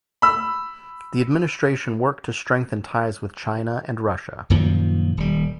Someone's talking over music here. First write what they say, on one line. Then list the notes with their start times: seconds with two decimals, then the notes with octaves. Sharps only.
The administration worked to strengthen ties with China and Russia.
0.22 B5 E6
4.50 F#2 A#2 D#3 F3
5.17 D#1 G3